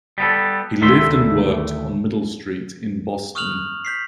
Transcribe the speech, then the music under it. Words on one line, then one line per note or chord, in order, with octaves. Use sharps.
He lived and worked on Middle Street in Boston.
G3 B3 A4
D2 D#3 A3 E4 E5 C6
C#6 D#6 F6 F#6 F7 F#7
G6 B6 C7